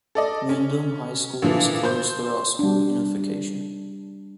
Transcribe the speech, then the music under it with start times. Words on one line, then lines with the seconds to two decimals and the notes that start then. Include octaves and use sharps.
Windom High School was closed through school unification.
0.15 A4 D5 D#5
0.49 C#4
1.42 A#2 D3 E3 F3
1.83 C5 C6 G6
2.59 G3 D4